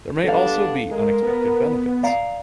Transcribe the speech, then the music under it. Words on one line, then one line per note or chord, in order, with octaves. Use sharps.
There may also be unexpected benefits.
G3 B3 D4 A4 F5
G#3 A#4
B3
D5 F5 A#5